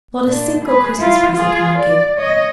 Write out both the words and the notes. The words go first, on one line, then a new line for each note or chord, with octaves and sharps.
Not a single Christmas present can I give.
A#2 D4
G#4 B4
E4 F4
F4 G#4
D5
C#5 D#5